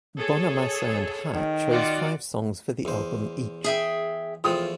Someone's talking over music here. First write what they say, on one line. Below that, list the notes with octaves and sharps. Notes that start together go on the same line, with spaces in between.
Bonamassa and Hart chose five songs for the album each.
G#4 A4 C#5
D#3
F4 F#4 D5
E2 C5
G#4 E5 G5
E2 F3 A3 F4 G5 D#6